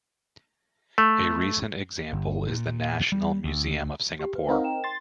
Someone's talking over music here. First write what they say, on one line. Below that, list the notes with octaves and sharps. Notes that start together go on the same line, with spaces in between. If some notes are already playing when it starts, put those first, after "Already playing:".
A recent example is the National Museum of Singapore.
A3
G1
A#2
G3
D2
G4
B4
C4 D#4 A#4 F5 F#5
G5 E7
C6 A6